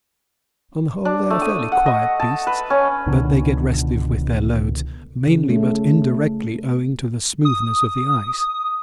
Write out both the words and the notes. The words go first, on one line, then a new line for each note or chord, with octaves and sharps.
On the whole they are fairly quiet beasts, but they get restive with their loads, mainly but indirectly owing to the smoothness of the ice.
D4
A3
D#6
F#5
D#5
A5
B4
C#4
C#2 B2 D3 D#3
C#3
A3
D#6